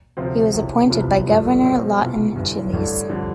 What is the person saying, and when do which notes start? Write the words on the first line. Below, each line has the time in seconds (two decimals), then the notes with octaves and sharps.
He was appointed by Governor Lawton Chiles.
0.17 D2 C3 F3 C4 F4
0.54 E1 E2 C3
0.90 C2 C3 F3 B3 F4
1.26 G2 F3 A3 D4 F4
1.63 B1 B2 A3 C4
1.99 C2 B2 B3 F4
2.36 G1 G2 E3
2.72 A1 G2 D3 A3 D4
3.10 F2 D3 G3 D4